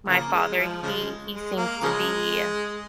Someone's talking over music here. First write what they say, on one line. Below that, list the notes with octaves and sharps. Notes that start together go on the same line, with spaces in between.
My father, he he seems to be
C#3 F3 A#3
G#3
F3
C#3 F3 G#3
G#3
A#3
C#3 F3 G#3